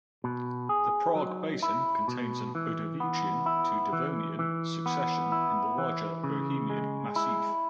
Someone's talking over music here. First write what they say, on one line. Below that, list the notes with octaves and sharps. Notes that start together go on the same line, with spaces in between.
The Prague Basin contains an Ordovician to Devonian succession in the larger Bohemian Massif.
B2
G#4
F#3
E4
B2
E3
B3
E4
E3
E3
B3
E4
E3
C#3
G#3
E4